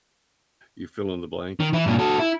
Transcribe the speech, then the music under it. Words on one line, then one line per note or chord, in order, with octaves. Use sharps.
you fill in the blank,
D#3
E3 E4
G2 A#2
F#4 A4
E4